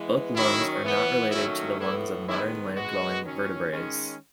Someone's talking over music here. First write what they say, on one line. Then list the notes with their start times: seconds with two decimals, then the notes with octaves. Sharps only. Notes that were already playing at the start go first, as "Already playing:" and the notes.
Book lungs are not related to the lungs of modern land-dwelling vertebrates.
Already playing: E3 G#3 B3
0.36 D#3 F#3 C#4 E4
0.84 E3 B3
1.31 D#3 F#3 A3 C#4 E4
1.80 A2 E3 B3 E4
2.28 D#3 G#3 B3 E4
2.76 B2 G#3 B3 F#4
3.24 D#3 F#3 C#4
3.72 D#3 G#3 C#4